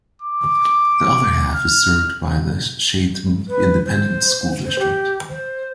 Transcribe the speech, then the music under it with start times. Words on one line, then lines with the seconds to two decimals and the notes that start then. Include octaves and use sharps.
The other half is served by the Sharyland Independent School District.
0.22 D6
1.55 F6
3.48 B4
3.84 C5
4.65 C5
4.79 G4
5.29 C5